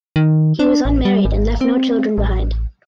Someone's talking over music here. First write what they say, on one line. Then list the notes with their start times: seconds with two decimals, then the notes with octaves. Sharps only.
He was unmarried and left no children behind.
0.16 D#3
0.59 D4
0.85 A1
1.05 G3
1.25 G#1
1.61 C4
2.18 A1